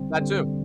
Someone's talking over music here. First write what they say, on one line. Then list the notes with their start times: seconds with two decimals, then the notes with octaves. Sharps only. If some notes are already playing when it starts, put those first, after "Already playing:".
that too.
Already playing: D3 G3 C4
0.20 D3 G3 C4